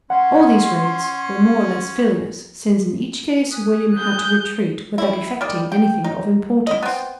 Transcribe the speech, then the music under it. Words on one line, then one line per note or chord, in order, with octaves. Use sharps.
All these raids were more or less failures, since in each case William had to retreat without effecting anything of importance.
C#4 F#5 C6
G#5 D#6 F#6
G6
C#4 E4
D#3 G3
G5
D#4
E4 D#5
B3 C4